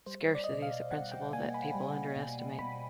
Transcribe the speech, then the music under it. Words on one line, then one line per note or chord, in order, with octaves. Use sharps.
Scarcity is a principle that people underestimate.
G3 C5
D5
D#5
B2 D5
F5
B2 F#5
G5
A#3 G#5
B5
G3
B2
B2 B5